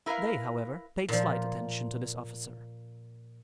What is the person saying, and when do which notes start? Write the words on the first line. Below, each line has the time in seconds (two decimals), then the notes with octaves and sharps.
They, however, paid slight attention to this officer.
0.06 E4 A#4 B4 E5 F5
1.09 A#2 F3